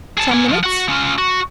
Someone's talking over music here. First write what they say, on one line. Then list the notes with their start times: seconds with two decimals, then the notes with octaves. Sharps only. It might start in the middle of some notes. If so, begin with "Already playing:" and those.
Ten minutes?
0.18 G#4 A5
0.31 A#3 G#5
0.49 C#2 F3
0.64 F#4 F#5
0.89 C#4 F4
1.18 F#4